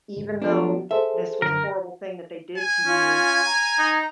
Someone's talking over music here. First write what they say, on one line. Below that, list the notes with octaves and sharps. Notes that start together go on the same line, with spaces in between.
even though this was a horrible thing that they did to you,
D2 G#2
F3 A3 B3 D4 F4
G#4 A4 C5 E5
F#2 D3 A#4
G#5
C#4 F4
A#5
D#4